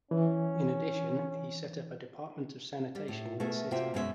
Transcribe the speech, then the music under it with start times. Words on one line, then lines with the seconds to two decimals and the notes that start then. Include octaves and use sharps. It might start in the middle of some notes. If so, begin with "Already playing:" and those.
In addition, he set up a department of sanitation in the city.
0.11 E3 C#4
2.95 G3
3.08 A2
3.40 B2 A3 G#4 A#4 E5
3.71 C3 A#3 F4 F#4 E5 G5
3.94 F#2 B2 G#3 C#4 A#4 E5